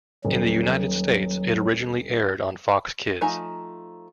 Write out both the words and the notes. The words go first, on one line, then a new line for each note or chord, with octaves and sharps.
In the United States, it originally aired on Fox Kids.
D#1 F#3
F3 A3 D#4 G#5 A#5